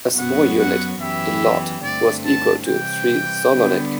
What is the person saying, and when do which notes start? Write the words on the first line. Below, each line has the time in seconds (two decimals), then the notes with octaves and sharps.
A smaller unit, the lot, was equal to three zolotnik.
0.17 F#2 F#3 B3 F#4 F#5
0.59 F#5
1.01 F#2 E3 B3 E4 G4 E5
1.84 G2 D3 A3 C4 D5
2.26 A5
2.67 C3 E3 G3 G5
3.51 D3 G3 B3